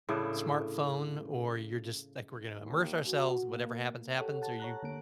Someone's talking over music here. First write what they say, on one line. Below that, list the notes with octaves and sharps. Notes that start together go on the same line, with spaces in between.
smartphone or you're just like, "We're gonna immerse ourselves, whatever happens, happens," or are you
A2 C#3 D4 E4
D#2
F#4
A#3
G4 A4 C#5 F#5
F#5 A5
C#5 A#5 F#6
D3 A#3 D7